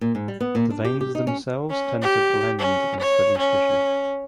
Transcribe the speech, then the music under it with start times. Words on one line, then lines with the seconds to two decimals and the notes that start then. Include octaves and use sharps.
The veins themselves tend to blend into the leaf tissue.
0.01 A#2
0.15 G#2
0.28 G3
0.40 B3
0.55 A#2
0.70 D4
0.85 G4
1.01 G4
1.15 D#4
1.27 C#4
1.70 C#4
2.02 G4
2.59 C#4
3.00 C#5
3.38 C#4